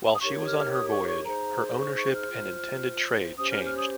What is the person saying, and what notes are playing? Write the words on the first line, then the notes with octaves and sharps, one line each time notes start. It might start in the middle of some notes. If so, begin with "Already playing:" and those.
While she was on her voyage her ownership and intended trade changed.
D#6
D#4 G4 A#4 C#5 C#6
F6
F6
D#6
C#6
C#6
D#4 G#4 C5 A#5
C#6
C#6
F6
F4 C5
C#4 G4 C5 D#6
F6
F6
D#6